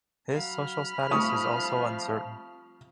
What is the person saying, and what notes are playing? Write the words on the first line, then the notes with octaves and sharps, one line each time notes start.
His social status is also uncertain.
F#3 F5 B5 F6
F3 G3 A3 C4 C#6 D#6